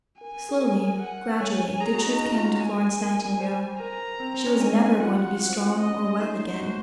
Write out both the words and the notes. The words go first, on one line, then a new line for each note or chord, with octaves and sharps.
Slowly, gradually, the truth came to Florence Nightingale: she was never going to be strong or well again.
A#4 G#5
G#4
A#4
F#5
C#5 G#5
G#4 A#5
F#4
D#4
C#4
F4
F#4
G#4 G#5
A#4
C5
A#4 A#5
C4
C4
C#4
D#4 G#5
F4 F#5
F#4
C5
F4
C#4
C#4 D#5
D#4 C5
F#4